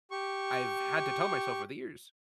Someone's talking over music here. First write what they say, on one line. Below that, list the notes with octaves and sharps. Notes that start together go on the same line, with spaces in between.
I've had to tell myself over the years,
G4 C#6